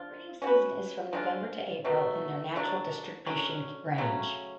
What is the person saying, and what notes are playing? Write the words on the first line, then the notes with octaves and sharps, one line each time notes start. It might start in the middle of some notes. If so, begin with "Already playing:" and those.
Breeding season is from November to April in their natural distribution range.
Already playing: F3 D4 F4
C#4 F#4 B4
F3 G#3 D4 F4
B2 F#3 A3
D3 F#3 A3 D4
D3 F#3 C#4
C#3 F#3 A3 C#4